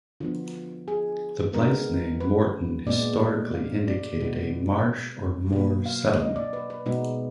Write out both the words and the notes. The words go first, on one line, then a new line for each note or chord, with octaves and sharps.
The place name Morton historically indicated a "marsh or moor settlement".
D3 F3 B3 F4
G#4
D3 G#3 B3 A#4
B4
A#2 G#3 B3 D5
F5
D5
B2 G#3 B3
B2 F#3 A#3 B4
F5
D#5
D5
B4
B4
B2 G#3 B3 D#4